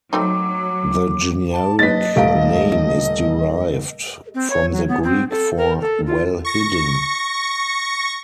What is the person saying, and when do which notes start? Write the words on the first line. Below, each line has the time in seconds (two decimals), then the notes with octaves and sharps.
The generic name is derived from the Greek for "well hidden".
0.13 F#3 A3 C4 D#4 D6
1.52 A5
1.79 F#1 B4 D#5 A6 B6
2.16 D#1 A3 G4 F5 A5 D7
4.35 C4
4.50 C#5
4.72 F#3
4.88 B3
5.03 C4
5.30 A4
5.57 A#4
5.81 A4
6.06 F4
6.45 C#6 A#6 C#7